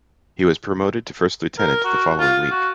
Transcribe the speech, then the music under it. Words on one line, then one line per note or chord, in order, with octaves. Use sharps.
He was promoted to first lieutenant the following week.
A#4
F#4
F4
F#4